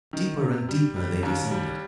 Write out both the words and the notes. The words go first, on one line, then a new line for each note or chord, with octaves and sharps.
Deeper and deeper they descended.
D#3
C3
G3
G3
D#2
G3